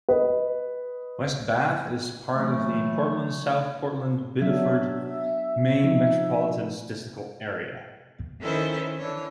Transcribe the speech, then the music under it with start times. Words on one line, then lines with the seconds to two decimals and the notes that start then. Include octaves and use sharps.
West Bath is part of the Portland-South Portland-Biddeford, Maine metropolitan statistical area.
0.09 B4 D#5
2.33 E3 F#3 A3
4.41 F#3 B3 D4 E5
5.84 F3 D#4
8.41 D#3 C#4 E4 A4 B4 C5
8.98 D3 E3 C#5